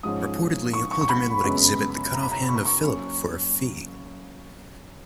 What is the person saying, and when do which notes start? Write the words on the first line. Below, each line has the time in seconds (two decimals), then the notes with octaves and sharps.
Reportedly, Alderman would exhibit the cut-off hand of Philip for a fee.
0.03 G#2 F3 G#3 C#4 D#6
0.73 C#6
0.91 C#6
1.01 C#6
1.09 B5
1.44 F#2 C#3 G#3 B3
2.14 A#5
2.23 B5
2.32 A#5
2.49 C#6
2.56 B5
2.65 C#6
2.83 F#3 A#3 C#4